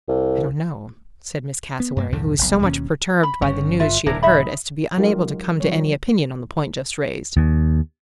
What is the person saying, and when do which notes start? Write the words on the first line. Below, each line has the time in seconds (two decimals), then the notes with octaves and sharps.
"I don't know," said Miss Cassewary, who was so much perturbed by the news she had heard as to be unable to come to any opinion on the point just raised.
0.08 C2
1.80 B3
1.96 G2 G#3 A#3
2.12 B1 E2 A2 C#3
2.38 F1 B1
2.62 D#2 B2 C#4
3.23 B5
3.42 G1 C#4
3.80 F4 B4 E5
4.06 D#1 D4 E4 A#4
4.23 D#4 E5 B5
4.98 F#3 G#3 D#4 F4 G4 A#4
5.60 F3 G3 C#5
7.37 D#2